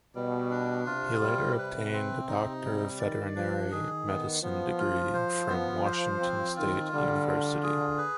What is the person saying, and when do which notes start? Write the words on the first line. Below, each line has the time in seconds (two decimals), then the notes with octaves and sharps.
He later obtained a Doctor of Veterinary Medicine degree from Washington State University.
0.15 B2 G3
0.50 D4
0.86 C3 F4
1.22 G3
1.58 B4
1.93 C4
2.28 D#4
2.65 G3
2.99 D#3 D5
3.35 F3 D4
3.71 D#3 G#4
4.07 B3
4.42 F3 B3
4.78 F4
5.14 C5
5.49 B3
5.85 C5
6.20 C4
6.56 D#3 F4
6.92 D3 G3
7.28 F4
7.63 G#4
7.98 B4